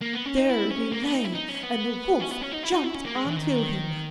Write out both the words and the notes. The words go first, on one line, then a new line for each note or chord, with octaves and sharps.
There he lay, and the wolf jumped on to him....
A#3
B3
C#4
D#4
E4
C#4
A#3
B3
D#4
E4
D#4
C#4
B3
C#4
B3
C#4
D#4
E4
D#4
E4
C#4
A#3
G#3
E3
D#3